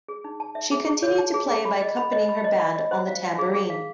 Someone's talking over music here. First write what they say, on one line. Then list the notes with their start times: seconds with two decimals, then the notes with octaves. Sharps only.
She continued to play by accompanying her band on the tambourine.
0.08 G#4
0.24 D#4
0.40 A5
0.55 E5
0.71 G#4
0.87 G#4
1.03 C#5
1.18 A5
1.34 G#4
1.50 G#4
1.65 B5
1.81 D#5
1.97 B5
2.12 D#5
2.29 B5
2.44 D#5
2.60 B5
2.76 D#5
2.91 C5
3.07 F5
3.23 F5
3.39 G#4
3.54 G#4
3.70 F5